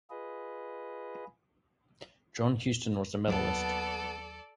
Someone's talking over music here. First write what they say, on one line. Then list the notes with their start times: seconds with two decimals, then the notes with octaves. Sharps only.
John Huston was the medallist.
0.10 F4 G#4 B4 D#5
3.28 D#2 F#3 B3 A4 D5 A5